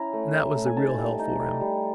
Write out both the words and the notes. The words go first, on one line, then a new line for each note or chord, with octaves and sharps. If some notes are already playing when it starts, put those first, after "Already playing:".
And that was the real hell for him.
Already playing: C#4 E4 A#5
A3
E4
A3
G#5
D#4 A5
G3
D#4
G3
G3